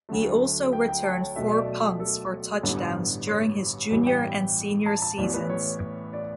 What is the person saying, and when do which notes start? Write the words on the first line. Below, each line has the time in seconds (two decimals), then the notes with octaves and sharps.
He also returned four punts for touchdowns during his junior and senior seasons.
0.09 D2 D3 F#3 A3
0.73 G5
0.89 G5
1.04 A5
1.20 C#5
1.36 B1 B2 A3 E5
1.52 D5
2.00 A4
2.63 A1 G2 D3 G3 B3 C#5
3.27 C#5
3.91 A1 G2 E3 B3
4.07 G5
4.86 A5
5.02 A5
5.18 A1 A2 E3 B3 D5
5.34 B4
5.50 C#5
6.13 D5